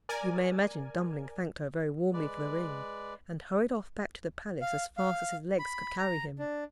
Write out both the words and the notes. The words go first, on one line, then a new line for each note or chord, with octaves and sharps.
You may imagine Dummling thanked her very warmly for the ring, and hurried off back to the palace as fast as his legs could carry him.
A#4 D5 G#5
G#3 B4 D5
F5
F5
B5
A#5
D4